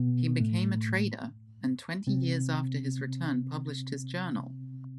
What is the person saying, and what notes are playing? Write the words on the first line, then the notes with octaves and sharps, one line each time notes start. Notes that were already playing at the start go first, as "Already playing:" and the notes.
He became a trader, and twenty years after his return published his journal.
Already playing: B2 B3
A2 A3
C3 C4